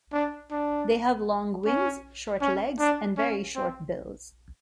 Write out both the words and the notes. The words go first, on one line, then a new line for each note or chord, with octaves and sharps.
They have long wings, short legs, and very short bills.
D4
D4
C#4
C#4
D4
C#4
C4